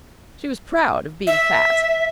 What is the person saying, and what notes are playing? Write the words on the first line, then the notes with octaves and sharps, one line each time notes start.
She was proud of being fat.
E5